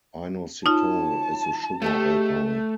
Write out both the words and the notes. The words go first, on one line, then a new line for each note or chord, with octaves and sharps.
Inositol is a sugar alcohol.
C#4 D#4 F4 A5
G#3 A3 G4 A4